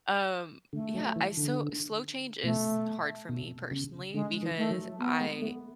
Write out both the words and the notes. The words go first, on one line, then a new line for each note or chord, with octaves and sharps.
Um, yeah, I, so slow change is hard for me, personally because I
D3 A3
F#3
E3
D3
B2 A3
B2
C#3
D3 G#3
E3
A3
F#3
B3
G#3
A3